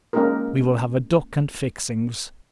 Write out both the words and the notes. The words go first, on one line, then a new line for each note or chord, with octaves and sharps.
We will have a duck and fixings.
G#3 A#3 C#4 D#4 G#4 A#4